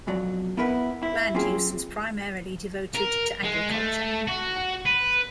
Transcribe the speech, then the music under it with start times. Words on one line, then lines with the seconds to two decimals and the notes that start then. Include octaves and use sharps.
Land use was primarily devoted to agriculture.
0.07 B1 F2 F#3 D5
0.57 B3 E4 A#4 B4 C#5 F#5
1.03 E4
1.34 F#3 A#3 C4 C#4 F4 G#4
2.95 A#4
3.43 G#3
3.70 A3
4.27 F#4
4.86 B4